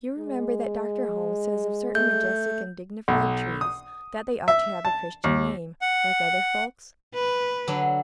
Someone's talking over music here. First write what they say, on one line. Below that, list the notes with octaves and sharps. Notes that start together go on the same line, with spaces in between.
You remember that Dr. Holmes says of certain majestic and dignified trees that they ought to have a Christian name, like other folks?
G#3
A3 G6
B1
D#6
E5
A5
D#2
F#5
B4
D3 F#3 D4